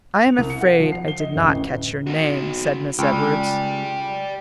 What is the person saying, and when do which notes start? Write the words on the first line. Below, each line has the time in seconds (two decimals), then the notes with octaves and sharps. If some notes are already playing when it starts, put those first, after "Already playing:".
"I am afraid I did not catch your name," said Miss Edwards.
0.25 F7
0.38 C2
0.50 C#7
0.61 F#5
0.80 F3
0.92 C7
1.08 G7
1.20 D#5
1.36 D1
1.48 A1
2.07 D#4 F#4
2.99 C#2 D5 G5